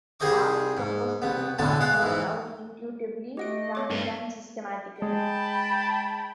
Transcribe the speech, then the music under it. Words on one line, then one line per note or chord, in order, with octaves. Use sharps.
All his compositions are worked out intuitively rather than systematically.
C2 G3 G#4 C5 D#5 C#6
G#2
C2 B3
B1 A2 D3 B3 A5
G#3 F5 F#5
G#2 E3
A3 G4 D#5 F#5 D7
B3 C#5 D6
G2 C4 A4
G#3 G5 A5 B5